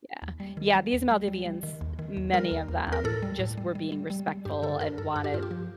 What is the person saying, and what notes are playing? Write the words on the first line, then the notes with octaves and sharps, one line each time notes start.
yeah. Yeah, these Maldivians, many of them, just were being respectful and wanted
D#2
G3
D#3
G3
D#2
G3
G3
G3
D#3
D#2
D#3
D#2
G3 A#4
D#2
D#2
D#2
A#4
A2 A4
G3
A2
G3
G3
G3
G3
G3
G2 G4
D3 A4
G2 A#4
G2 A4
G2 A4
G4
G2 F4
G4
F3